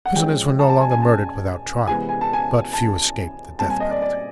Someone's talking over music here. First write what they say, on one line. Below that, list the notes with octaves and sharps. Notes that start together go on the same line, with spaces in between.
Prisoners were no longer murdered without trial, but few escaped the death penalty.
F#5
F3 G#3 C#4 G5
A5
A5
G#5
G#5
A5
C3 E3 G#3 B3 G#5
G#5
A5
G#5
A5
A#2 G3 C4 A5
G#5
D#5
D5
D5